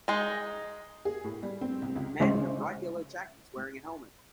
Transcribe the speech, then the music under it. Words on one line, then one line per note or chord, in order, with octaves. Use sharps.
A man in a bright yellow jacket is wearing a helmet.
G#3 D#4
G#4
A2
G3
C4
C2
C#2
C#3 G#3 C#4 E4 C5 C#5